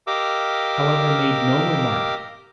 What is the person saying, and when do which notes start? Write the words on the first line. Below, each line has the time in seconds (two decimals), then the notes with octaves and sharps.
I however made no remark.
0.07 G4 A#4 D#5 F5 D6 E6